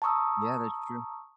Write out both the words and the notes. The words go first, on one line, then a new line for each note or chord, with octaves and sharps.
Yeah, that's true.
A5 A#5 C#6 D#6 E6